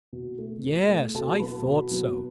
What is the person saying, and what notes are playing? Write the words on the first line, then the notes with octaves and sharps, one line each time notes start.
Yes, I thought so.
B2
A3
B2
A3
B2 A4 A5
A5
F#3 B3 B4 B5
B2
F#3 B3